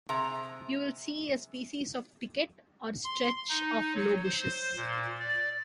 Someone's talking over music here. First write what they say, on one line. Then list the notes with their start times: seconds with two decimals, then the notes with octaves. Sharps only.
You will see a species of thicket, or stretch of low bushes.
0.09 C3 G#4 A#5
3.04 C6
3.49 D#4
3.95 F#3
4.24 C5
4.76 A#2
5.20 D5